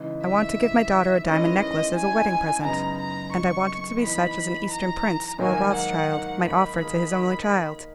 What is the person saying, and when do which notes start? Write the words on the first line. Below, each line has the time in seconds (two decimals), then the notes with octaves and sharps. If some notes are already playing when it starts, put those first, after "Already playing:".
I want to give my daughter a diamond-necklace as a wedding present, and I want it to be such as an Eastern prince or a Rothschild might offer to his only child.
Already playing: C#3 E3 G#3 D#4
0.23 E5
1.26 D#3 G#3 C#4 E4 B4 D#5
1.60 D#5
1.94 G#5
2.63 F#2 C#3 G#3 B3 D#4 A#5
2.98 A#5
3.32 C#6
4.01 E3 B3 D#4 B5
4.70 A#5
5.38 G#2 D#3 F#3 A#3 G#5
5.74 F#5
6.42 B5
6.77 D#3 A#3 D#4 G#4 B5